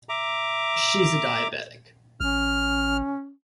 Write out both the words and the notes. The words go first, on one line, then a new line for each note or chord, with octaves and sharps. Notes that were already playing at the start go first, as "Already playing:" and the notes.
She's a diabetic.
E5 A#5 D6
A1 C#4 F6